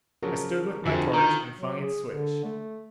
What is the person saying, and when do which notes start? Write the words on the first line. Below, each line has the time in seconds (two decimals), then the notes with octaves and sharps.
I stood with my torch and flung its switch.
0.23 C#3 F3 F#3 A#4
0.86 F2 D3 F4 F#4 G#4 E5 G#5
1.13 D#3 A#5 G6
1.57 F#3
1.81 G#4
2.08 D3
2.44 A3